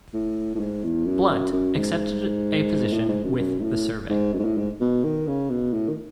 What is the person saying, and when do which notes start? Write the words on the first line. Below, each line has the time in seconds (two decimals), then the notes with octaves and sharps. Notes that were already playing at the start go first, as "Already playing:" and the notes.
Blunt, accepted a position with the Survey.
0.13 A2
0.55 A2
0.60 G#2
0.84 E2
1.06 F#2
1.30 F#2
1.53 F#2
1.76 G#2
2.93 A2
3.08 G#2
3.24 F#2
3.40 F#2
3.59 G#2
3.63 A2
4.10 G#2
4.33 F#2
4.39 G#2
4.45 A2
4.57 G#2
4.81 B2
5.04 D#3
5.27 C#3
5.50 B2
5.73 A2
5.89 D#3